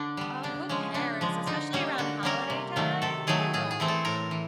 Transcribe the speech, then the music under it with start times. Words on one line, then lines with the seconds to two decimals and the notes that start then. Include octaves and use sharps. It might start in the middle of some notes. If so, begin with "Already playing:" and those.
Oh, who cares? Especially around holiday time, you indulge.
Already playing: D3 D4
0.17 G3 B3
0.43 C#3 D4
0.69 F3 G#3 C#4
0.94 C#3 D4
1.21 F3 G#3
1.46 D3 D#4
1.73 G3 A#3 C#4
1.98 D3 F#4
2.23 G3 A#3 C#4 A#4
2.50 C3
2.76 D#3 F#3 A3
3.02 C3 A4
3.27 D#3 F#3 A3 G#4
3.53 A2 G#4
3.71 G#4
3.80 E3 A3 C4
3.88 A4
4.05 A2 A#4
4.31 E3